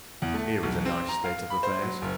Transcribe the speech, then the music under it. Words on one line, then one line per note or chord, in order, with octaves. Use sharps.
Here is a nice state of affairs.
E2
A3
B1
C4
A#5
F5
B5
C5
F#3
F#1